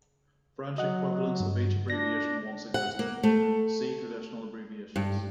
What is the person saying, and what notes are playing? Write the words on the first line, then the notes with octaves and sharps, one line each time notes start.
French equivalents of each abbreviation once existed: see Traditional abbreviations.
F#3 D#5 F#5
G2
D4 A#6
F#5
A#3
A3
G2